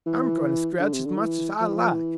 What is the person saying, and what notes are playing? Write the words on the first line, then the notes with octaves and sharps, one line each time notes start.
"I'm going to scratch as much as I like!"
E3
D3
C3
D3
E3
F3
E3
F3
E3